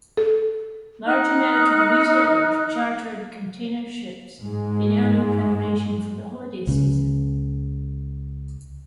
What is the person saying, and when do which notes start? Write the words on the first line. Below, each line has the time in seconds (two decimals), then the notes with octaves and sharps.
Large American retailers chartered container ships in early preparation for the holiday season.
0.17 A4
1.06 D#4 D#5 F6 F#6
4.41 G#2 G#3
6.67 C#2 C#3